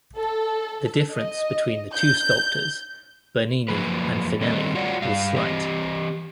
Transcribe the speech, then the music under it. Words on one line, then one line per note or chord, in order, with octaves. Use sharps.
The difference between the two sculptors, Bernini and Finelli, was slight.
A4
D#5
G6
F#2 F3 A#3 B4
D#3 G3 C4 A4 B4 D#5
F4 F#4 C#5 D5 F#5
G2 F5
E3 C4 G4 D#5